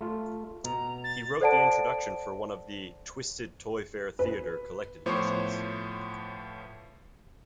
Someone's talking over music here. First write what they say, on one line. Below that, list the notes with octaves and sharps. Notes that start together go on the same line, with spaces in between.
He wrote the introduction for one of the "Twisted ToyFare Theatre" collected editions.
A3 F4
B2 A#5
A6
A4 C5 D5 F#5 A5 D7
B4
A2 F3 B3 C5 C#5 D6